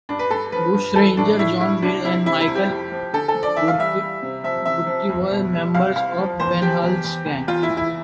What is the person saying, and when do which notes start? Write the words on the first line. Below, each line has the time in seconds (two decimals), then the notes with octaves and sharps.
Bushrangers John Vane and Michael Burke were members of the Ben Hall's gang.
0.09 G2 D4
0.19 B4
0.30 G2 A4
0.52 F3 B4
0.74 G2
0.95 E3 A4
1.17 A2 D4
1.39 A2 E4
1.61 G3 E4
1.82 C2 D4
2.04 C3 E4
2.26 C3 E4
2.40 E4
2.48 C2
2.55 G4
2.70 F2
2.92 F3
3.13 D3 A4
3.28 A4
3.35 F3
3.43 D5
3.56 E3 E5
3.68 F5
3.79 G3 E5
4.00 G3
4.22 C3
4.44 F3 E5
4.65 C3 E5
4.87 F3
5.09 F2
5.31 B2
5.53 G3
5.74 C2 F5
5.95 C2 F5
6.18 F3
6.40 E2 C5
6.62 F3 G4
6.83 E2
7.04 E2
7.26 E2
7.48 E2 F4
7.63 E4
7.70 E2
7.77 E4